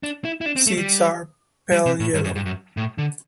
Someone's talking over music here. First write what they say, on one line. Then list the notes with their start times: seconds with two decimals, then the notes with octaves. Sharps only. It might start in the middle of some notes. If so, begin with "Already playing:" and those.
Seeds are pale yellow.
0.03 D4
0.25 E4
0.41 E4
0.46 D4
0.56 C4
0.67 A3
0.77 G3
1.72 G3
1.86 C3
2.00 A2
2.14 G2
2.24 F#2
2.35 G2
2.45 F#2
2.77 A2
2.98 D3